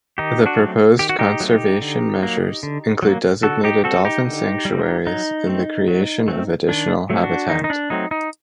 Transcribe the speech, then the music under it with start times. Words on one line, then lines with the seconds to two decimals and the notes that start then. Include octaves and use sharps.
The proposed conservation measures include designated dolphin sanctuaries and the creation of additional habitat.
0.18 D#3 D#4 G4
0.46 D4 F#4
0.59 F#3 A3 C4
0.99 D#3 G4
1.09 F#4
1.19 D#4 G4
1.40 F#3 A3 C4
1.81 D3
2.22 F#3 A#3
2.63 D3
3.02 F#3 A#3
3.43 D3 F#4 A4
3.64 D#4 G4
3.84 G3 C4 F#4 A4
4.05 D#4 G4
4.24 D3
4.65 G3 C4
5.07 F#3 D#4
5.47 A3 C4
5.88 F#3
6.28 A3 C4
6.69 D#3 D4
7.10 F#3 A3 C4
7.23 D4 F#4
7.50 D#3 D#4
7.64 D#4
7.70 D4
7.90 F#3 A3 C4 D#4
8.11 D#4